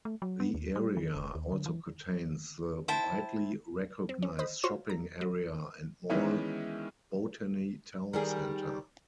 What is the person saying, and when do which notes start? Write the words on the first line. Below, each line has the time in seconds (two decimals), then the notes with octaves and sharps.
The area also contains the widely-recognized shopping area and mall Botany Town Centre.
0.05 A3
0.22 F#3
0.40 B3
0.55 D#2
0.76 G3
0.97 D#3
1.15 E1
1.35 D#2
1.52 D3
1.66 E3
2.88 E4 C5 G5 A5
4.09 C4
4.22 C#4
4.39 C5 D#5 B5
4.64 F4 F#4 C5 C#5 C6
4.90 A#5
5.21 F#3
6.10 D#3 E3 G#3 B3 C#4 E4
8.13 D#3 G3 G#4